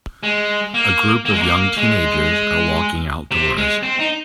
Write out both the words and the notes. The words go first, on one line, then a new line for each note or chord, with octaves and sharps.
A group of young teenagers are walking outdoors.
G#3
A#3
A#3
G#3
A#3
G#3
C3
G#3
C4
D#4